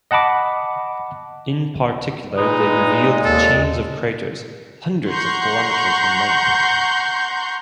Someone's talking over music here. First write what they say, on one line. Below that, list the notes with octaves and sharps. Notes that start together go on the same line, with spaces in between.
In particular, they revealed chains of craters, hundreds of kilometers in length.
D#5 F#5 A5 B5 D6
A#2 G#3 D#4 B4
D#2 A4
F#5 A#5 C6 C#6 G6